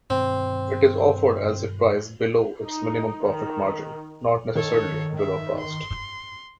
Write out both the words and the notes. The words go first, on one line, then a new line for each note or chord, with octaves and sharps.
It is offered at a price below its minimum profit margin-not necessarily below cost.
G2 B2 D#3 C4
D#4
D#3
D#3 A4 C#5
E5
C6